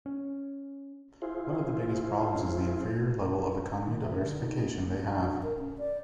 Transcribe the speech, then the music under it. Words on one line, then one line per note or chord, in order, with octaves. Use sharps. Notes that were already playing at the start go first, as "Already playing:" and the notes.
One of the biggest problems is the inferior level of economy diversification they have.
C#4
E4 F4 G#4 C5
D#3
E5
D3
D#4
B3
A#3
F#4
D4
A#4
C#4
D5